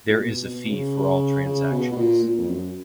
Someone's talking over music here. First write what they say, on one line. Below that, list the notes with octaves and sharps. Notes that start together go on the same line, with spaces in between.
There is a fee for all transactions.
A#2
B2
B2
C#3
C#3
B2
B2
A#2
A#2
F2
F#2